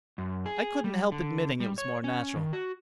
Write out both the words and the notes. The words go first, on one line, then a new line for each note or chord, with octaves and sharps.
I couldn't help admitting it was more natural.
F#2
G#4
G3
D3
G3
C#5
C#4
D#3
F#4